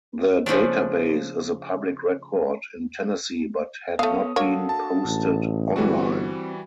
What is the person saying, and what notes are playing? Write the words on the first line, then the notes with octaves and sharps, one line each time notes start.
The database is a public record in Tennessee but had not been posted online.
C#3 F3 A3 D4
A3 B3 A4 C#5 F5 D#6
A#3 D4 F#4 A4 C#5
A5
A1
G1 E3 G3 C4 F#4